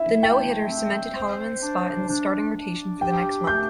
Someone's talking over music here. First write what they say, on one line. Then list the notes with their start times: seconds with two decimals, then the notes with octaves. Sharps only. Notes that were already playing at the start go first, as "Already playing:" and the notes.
The no-hitter cemented Holloman's spot in the starting rotation for the next month.
Already playing: E4 E5
0.23 A3 G5
0.69 C4
1.16 C5
1.62 D4
2.08 D4
2.55 D4
3.01 G4 G5
3.47 A3 G6